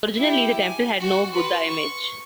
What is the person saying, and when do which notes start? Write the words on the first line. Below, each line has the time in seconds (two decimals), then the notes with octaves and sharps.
Originally the temple had no Buddha image.
0.16 E4 G4
0.61 G#5
1.00 F#4 C#6
1.33 B4 C6
1.65 C#6